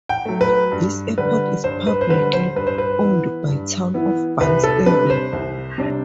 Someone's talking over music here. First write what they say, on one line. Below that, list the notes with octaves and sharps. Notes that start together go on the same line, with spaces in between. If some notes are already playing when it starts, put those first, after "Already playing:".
This airport is publicly owned by Town of Barnstable.
G5
F#3 A3
B4
G2
D3 G3 B4
G2 C5
B4
C5
D3 G3 B4
C5
G2 B4
C5
B4
E3 B3 E4
G2
E3 B3 E4
C2 B4
A4
C3 G3 D4 B4
C5
C2
C3 G3 D4